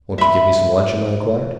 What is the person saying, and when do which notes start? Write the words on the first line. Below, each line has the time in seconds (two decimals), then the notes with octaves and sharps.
"Won't you give me some luncheon?" I inquired.
0.18 E5 B5